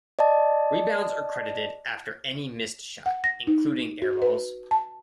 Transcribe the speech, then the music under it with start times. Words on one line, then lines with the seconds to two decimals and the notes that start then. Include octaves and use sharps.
Rebounds are credited after any missed shot, including air balls.
0.19 D5 D#5 A5
3.06 F#5
3.24 A#6
3.47 D#4
4.02 F#4
4.22 B4
4.71 A5